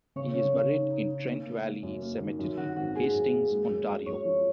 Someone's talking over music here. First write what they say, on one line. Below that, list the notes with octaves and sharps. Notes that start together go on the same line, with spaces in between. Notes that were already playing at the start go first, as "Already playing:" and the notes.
He is buried in Trent Valley Cemetery, Hastings, Ontario.
C#3 C#5
C#3
C#3
D#4
D#4
D#4
A#3
A#3
A#3
F#2
A#3
D#3
F#2
D#3 F#4
G#1 F#4
A#3 G#4
F#2
A#3
G#3
F#2
F#2
F#2 C#5
F3